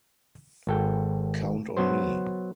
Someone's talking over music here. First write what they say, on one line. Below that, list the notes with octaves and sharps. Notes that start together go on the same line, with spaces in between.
Count on me...
G#1 A4 G5
F#3 B3 C5